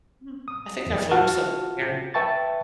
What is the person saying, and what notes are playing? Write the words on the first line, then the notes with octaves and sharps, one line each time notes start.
Hmm, I think I've learned something here.
D#6
E2
F4 F#4 F#5 A5 F6
B4 E5 G5 A5 C#6 A6